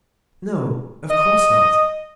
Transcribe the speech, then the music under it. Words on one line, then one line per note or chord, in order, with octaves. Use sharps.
"No, of course not."
D#5